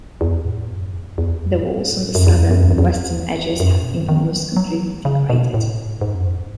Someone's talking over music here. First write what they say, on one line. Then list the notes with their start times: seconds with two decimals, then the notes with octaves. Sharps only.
The walls on the southern and western edges have been almost completely degraded.
0.21 E2
0.45 A2
0.69 F#2
0.93 E2
1.18 E2
1.42 F#2
1.56 A2
1.66 G#2
1.90 A2
2.15 F#2
2.27 E2
2.38 F#2
2.51 F#2
2.63 E2
2.71 F#2
2.78 E2
3.60 F#2
3.72 G#2
3.83 B2
3.96 D#3
4.09 D#3
4.33 F#3
4.57 F#3
4.81 E3
5.05 C#3
5.30 B2
5.54 A2
5.78 G#2
6.01 G#2
6.14 F#2
6.26 E2